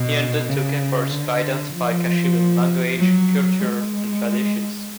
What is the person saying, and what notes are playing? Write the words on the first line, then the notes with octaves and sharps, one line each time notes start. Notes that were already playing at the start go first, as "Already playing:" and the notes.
He undertook efforts to identify Kashubian language, culture and traditions.
Already playing: B2
C#3
D3
F3
F#3
G#3